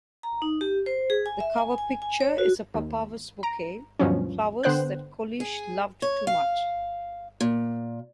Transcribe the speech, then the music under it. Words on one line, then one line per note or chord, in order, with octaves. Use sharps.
The cover picture is a papavers bouquet, flowers that Coluche loved too much.
A#5
D#4
G4
C5
G#4
G#5
E5
G#5
G#5
G#5
C#5
F#4
D#2
A#5 D7
D2 G2 B2 F3 F#3 C#4
D3 B3 C5 G5 F#6
G#4
C#5
F5
A#2